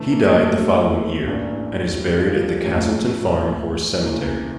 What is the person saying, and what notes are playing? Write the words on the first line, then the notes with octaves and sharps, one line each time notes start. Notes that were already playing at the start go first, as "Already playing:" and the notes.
He died the following year, and is buried at the Castleton Farm horse cemetery.
Already playing: E1 E2 D3 A3
A#3
A3
A1 G2 E3 A#3 D4
G3
F3
G3
A1 A2 F3 A3 A#3 C#4
E1 E2 C#3 E3 A#3